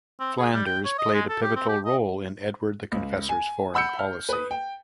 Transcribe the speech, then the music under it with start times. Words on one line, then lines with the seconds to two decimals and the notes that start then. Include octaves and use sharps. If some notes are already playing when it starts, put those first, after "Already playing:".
Flanders played a pivotal role in Edward the Confessor's foreign policy.
0.20 C4
0.39 G#4
0.54 G3
0.66 G5
0.85 C#5
0.99 D#5
1.14 G#3
1.30 A4
1.42 G4
1.56 C4
1.68 G4
1.85 D#5
2.92 C#2
3.29 G#5
3.74 F#5 B5 E6 G6 C#7
3.99 F6
4.29 B4 D#6
4.51 G5